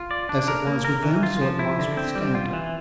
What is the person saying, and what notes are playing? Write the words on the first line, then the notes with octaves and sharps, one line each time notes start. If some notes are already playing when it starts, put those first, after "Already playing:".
As it was with them, so it was with Stanton.
Already playing: F4
D5
D4
A#4
A#3
A#4
E3
F4
F3
E4
D3
C4
G3
F4
E3